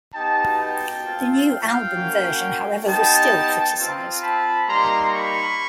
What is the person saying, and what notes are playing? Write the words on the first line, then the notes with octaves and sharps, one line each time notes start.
The new album version however was still criticised.
B3 D#4 G4 G5 A5
G5 A5
C4 F4
F5 G5
A#3 C#4 F#4
B3 D#4 G4 G5 A5
C4 F4
A5 B5
G3 A#3 D#4 A#5 C6
B5 C#6